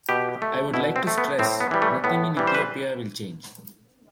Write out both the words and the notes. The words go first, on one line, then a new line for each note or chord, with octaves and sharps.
I would like to stress, nothing in Ethiopia will change.
B2 G4
A3
B2 E4
C4
A3
B3
A2 C4
B3
E3 G3
A3
A2 B3
E3 G3
C5
B4